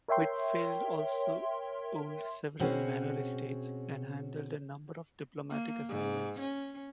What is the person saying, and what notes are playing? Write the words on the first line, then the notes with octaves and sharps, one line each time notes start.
Huitfeldt also owned several manor estates and handled a number of diplomatic assignments.
A#4 C#5 E5 G5 C6
B2 C4 C#4 F#4 G#4 C#5
A#3
G#2
C#4